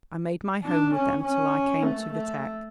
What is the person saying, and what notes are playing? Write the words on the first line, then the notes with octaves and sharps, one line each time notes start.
I made my home with them till I came to the Tech.
D4
C#4
C#4
A3
A3